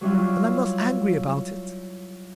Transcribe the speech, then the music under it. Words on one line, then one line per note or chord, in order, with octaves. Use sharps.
And I'm not angry about it.
F#3 G3 E4 F4